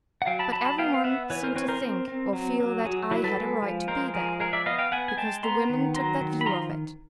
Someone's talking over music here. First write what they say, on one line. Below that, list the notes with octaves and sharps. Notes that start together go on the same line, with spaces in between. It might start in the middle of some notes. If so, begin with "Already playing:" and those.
But every one seemed to think, or feel, that I had a right to be there; because the women took that view of it.
F#5
F#3 F5 G5
A5 B5
F#3 A5 B5
C6
A5 B5
B3 F5 G5
F5
B3 E5 F#5
E3 B4 C#5
A#4 C5
C4 B4 C#5
A#4 C5
C4
C4
F#3
F#3
F#3 F#4 G#4
F#3 E4 F#4
A4 B4
G#3
F3
G#3 A#4 C5
F3 G#4 A#4
G#3 G#4 A#4
D5 E5
B3 D#5 F5
F5 G5
B3 F#5 G#5
G#5
G#3 G5 A5
B3 A#5 C6
D#3
F#3 A#5 C6
D#3
B5
F3 A#5 C6